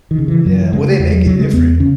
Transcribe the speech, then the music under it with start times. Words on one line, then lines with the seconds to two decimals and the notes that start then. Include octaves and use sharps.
Yeah, well, they make it different.
0.11 D#3
0.19 C#3
0.28 E3
0.46 F#2 F#3
0.60 E3
0.73 C#3 G#3
0.86 A3
1.00 E2 G#3
1.13 F#3
1.27 C#3 F#3
1.39 G#3
1.53 E2 B3
1.80 C#3 C#4